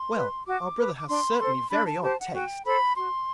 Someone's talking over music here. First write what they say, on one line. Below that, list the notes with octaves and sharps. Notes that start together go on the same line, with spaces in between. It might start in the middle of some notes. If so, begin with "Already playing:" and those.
Well, our brother has certainly very odd taste!'
Already playing: C6
B4
F#4 D6
B4
D6
D4 C6
B5
A4 C5 C6
D4 B5
A5
G4 C5 A5
F#5
F#4 G5
A4 C5 B5
F#4 C6